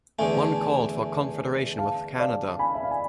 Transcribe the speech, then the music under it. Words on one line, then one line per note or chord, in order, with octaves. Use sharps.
One called for Confederation with Canada.
E2 D3 A3 E5 G#5
F5 A5
D5 F5
G#5 B5
E5
F5
G#5